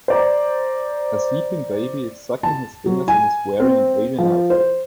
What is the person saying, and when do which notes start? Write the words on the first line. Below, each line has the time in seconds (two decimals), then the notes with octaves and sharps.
A sleeping baby is sucking his fingers and is wearing an asian outfit.
0.08 C5 D5 A#5
2.43 A5
2.86 F#3
3.08 G#5
3.60 C4
4.18 F3
4.50 C5